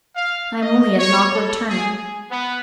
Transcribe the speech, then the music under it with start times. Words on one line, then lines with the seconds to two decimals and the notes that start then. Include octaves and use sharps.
I am only at an awkward turning.
0.16 F5
0.62 D#5
0.98 C#5
1.33 A4
1.68 G#4
1.98 G#4
2.30 B3